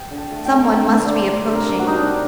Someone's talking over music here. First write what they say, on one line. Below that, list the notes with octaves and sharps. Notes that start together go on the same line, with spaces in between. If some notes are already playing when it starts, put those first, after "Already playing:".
Some one must be approaching.
Already playing: G5
D3
A5
A3
G5
A3
A#5
D3 A5
D3
D5
A3 C5
A3
C3 A#4
C3 F#4
D#4
G3 D4